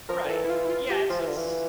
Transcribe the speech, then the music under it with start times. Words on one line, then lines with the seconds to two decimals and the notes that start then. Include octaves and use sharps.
Right. Yeah, it's it's
0.09 F3 A#4
0.24 D3
0.28 E3 A4
0.44 E4
0.50 F4
0.65 E4
0.70 F4
0.90 G4
1.10 F3 F4
1.19 E3
1.28 D3
1.37 E3